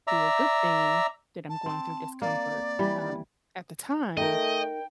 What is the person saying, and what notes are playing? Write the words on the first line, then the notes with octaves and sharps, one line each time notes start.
be a good thing that I'm going through discomfort, um, at the time
D5 E5 A#5
A5
C4
A#3 D5
E3 G3
A3 D#4 A#4 D#5 G5